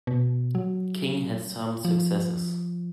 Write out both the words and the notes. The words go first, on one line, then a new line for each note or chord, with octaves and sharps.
King had some successes.
B2
F#3
F3